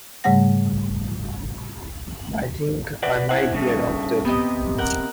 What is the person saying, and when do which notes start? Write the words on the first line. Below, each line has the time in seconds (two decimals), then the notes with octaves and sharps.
I think I might be adopted.
0.24 G#2 C#3 G3 A3 F#5 A#6
3.03 B4 D5 F#5
3.29 E4 C5 F#5
3.53 G2 C#3 A3
4.25 C3 B3 G4 D#5
4.78 A#4 F#5 G6